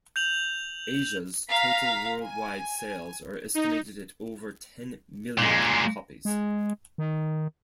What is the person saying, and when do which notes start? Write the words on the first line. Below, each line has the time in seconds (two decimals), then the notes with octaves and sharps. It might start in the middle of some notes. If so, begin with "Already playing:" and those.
"Asia"'s total worldwide sales are estimated at over ten million copies.
0.16 G6 F7 F#7
1.48 F5 A#5 B6
2.26 G#5
3.55 D#4
5.38 A#2 G#3
6.25 G#3
6.98 D#3